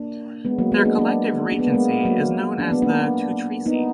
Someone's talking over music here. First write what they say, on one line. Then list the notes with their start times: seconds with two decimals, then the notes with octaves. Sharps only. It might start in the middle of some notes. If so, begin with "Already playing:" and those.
Their collective regency is known as the "Tutrici".
Already playing: A#3 D4
0.45 G#3 B3
0.58 F#3 A#3
0.72 G#3 B3
0.85 A#3 D4
0.98 A#3 D4
1.52 D4
1.59 B3
1.67 A#3
1.74 G#3 B3
2.05 F#3 A#3
2.59 D4
2.71 B3
2.82 A#3 D4
3.66 B3 D#4